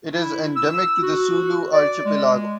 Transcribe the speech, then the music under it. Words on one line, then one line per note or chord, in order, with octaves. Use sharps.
It is endemic to the Sulu Archipelago.
E4
E6
F#4
D5
G#3